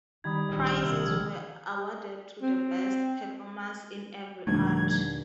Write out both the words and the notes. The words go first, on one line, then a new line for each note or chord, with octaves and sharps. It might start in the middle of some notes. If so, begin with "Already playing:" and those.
Prizes were awarded to the best performers in every art.
D#3 G3 B5 D#6 G#6
A#1
D#5 F6
A#1 C3 E6 C#7
F3 G#3 G#6
C4
D#1 D3 D#3 F3 G3 A3 G#6